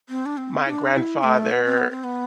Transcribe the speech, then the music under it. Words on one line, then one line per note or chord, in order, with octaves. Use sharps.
my grandfather
C4
D4
C4
E4
D4
E4
A3
B3
C4
B3
C4
B3